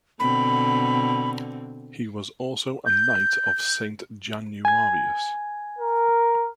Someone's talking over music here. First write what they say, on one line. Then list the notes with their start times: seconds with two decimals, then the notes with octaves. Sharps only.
He was also a Knight of Saint Januarius.
0.20 B2 D3 C4 B5
2.86 G6
4.65 G#5 G#6
5.79 A#4